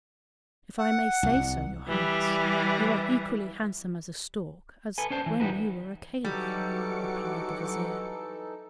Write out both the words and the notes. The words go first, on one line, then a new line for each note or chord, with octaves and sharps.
"If I may say so, your Highness, you are equally handsome as a stork as when you were a Caliph," replied the Vizier.
F#5
C2
E3 G3
A4 B4 G#5
C#4 D4 C5 A5
E3
E3 G3 D#4 F#4 A#4 B4
E3 F#3 G3 D#4 F#4 A4 D6 C#7